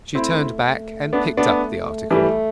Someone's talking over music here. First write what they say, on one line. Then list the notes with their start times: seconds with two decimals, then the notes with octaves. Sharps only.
She turned back and picked up the article.
0.15 A3 C4 E4
0.64 A3
1.13 B3 D4
1.37 B3 D4
2.11 E3 G3 A3